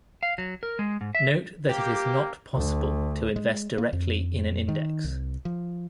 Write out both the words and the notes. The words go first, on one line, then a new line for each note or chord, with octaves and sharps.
Note that it is not possible to invest directly in an index.
F5
F#3
A#4
G#3
G#2
E5
A#3 G4
D2
G#3
A#3
F2
D#3
C2
F3